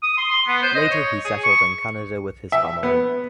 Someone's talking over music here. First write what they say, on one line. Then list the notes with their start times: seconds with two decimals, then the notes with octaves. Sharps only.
Later he settled in Canada with his family.
0.03 D#6
0.18 C6
0.31 C6
0.47 B3
0.63 C5
0.75 D#5
0.91 C#5
1.25 G#4
1.44 C#6
2.52 E5
2.83 B3